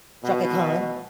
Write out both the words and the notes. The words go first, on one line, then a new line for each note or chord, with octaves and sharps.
Chaka Khan.
B2